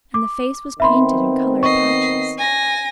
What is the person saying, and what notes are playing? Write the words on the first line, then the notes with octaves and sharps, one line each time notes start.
And the face was painted in coloured patches.
D6
D#3 B3 C4 E5 B5 C6
D#5 C#6 C7
G#5 A#6